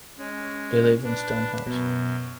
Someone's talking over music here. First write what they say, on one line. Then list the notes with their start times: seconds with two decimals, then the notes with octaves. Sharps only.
They live in Stonehouse.
0.18 G#3 C#4
1.03 D4 B4
1.67 F#2 B2